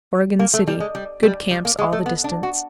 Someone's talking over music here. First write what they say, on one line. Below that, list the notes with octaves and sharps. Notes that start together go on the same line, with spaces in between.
Oregon City.--Good camps all the distance.
A#3
A3
G3
G#3
G3
G3
G3
A#3
G#3
A3
B3
D4
F#4